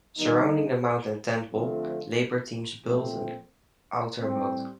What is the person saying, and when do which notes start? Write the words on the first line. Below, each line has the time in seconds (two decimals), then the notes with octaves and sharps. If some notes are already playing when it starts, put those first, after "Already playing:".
Surrounding the mount and temple, labor teams built an outer moat.
0.18 D#3 G3 A#3 D#4
1.52 D3 F3 A3 C4 F4
2.86 A#2 F3 A3 C4
4.21 A2 G3 C4